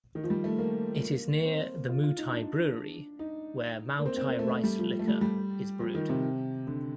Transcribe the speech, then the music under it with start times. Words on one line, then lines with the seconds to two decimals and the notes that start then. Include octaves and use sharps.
It is near the Moutai brewery, where Maotai rice liquor is brewed.
0.15 D#3
0.24 F3
0.30 G3
0.44 A3
0.59 A#3
1.45 C4
1.89 F4
2.03 F4
2.18 D#4
2.32 D4
3.19 D#4
3.99 A#3
4.06 C4
4.17 C4
4.28 A#3
4.39 A3
4.49 A3
4.64 G3
4.79 F3
4.99 A3
5.08 G3
5.21 G3
5.80 F3
5.94 D#3
6.09 C3
6.67 D3